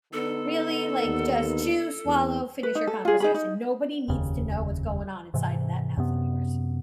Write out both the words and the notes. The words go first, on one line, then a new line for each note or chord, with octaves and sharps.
really, like, just chew, swallow, finish your conversation, nobody needs to know what's going on inside of that mouth of yours.
D3 B3 D#4 A4
D#2
E2
B4
D#4
A4
F4 G#4
D#4 G#4 B5
D#4
F1 D#2 C#3
G#2 C3 E3
F#2 C3 B3